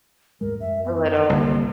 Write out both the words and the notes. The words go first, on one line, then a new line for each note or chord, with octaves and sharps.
a little.
D#2 G#2 G#3 A#4
F#2 E5
B3
G1 C2 D3 A#3